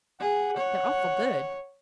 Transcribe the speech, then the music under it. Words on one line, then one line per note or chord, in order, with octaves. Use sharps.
"They're awful good."
G#4 F#5
C#5